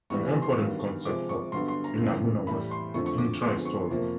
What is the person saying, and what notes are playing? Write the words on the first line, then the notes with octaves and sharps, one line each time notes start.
An important concept for Unamuno was "intrahistoria".
G2 E3 G3 B3 C#6
G#5
C6
G2 D#3 F#3 B3
C3 F3 G#3 C4 D6
C#6
G2 D3 F#3 B3 C6
C6
A#5
F2 C#3 E3
A2 E3 G3 B5
C6
F2 D3 F3 A3 C#6
C#6
D6
F2 D3 F3 G#3 B3 C6
C#6
F2 C3 F3 A#3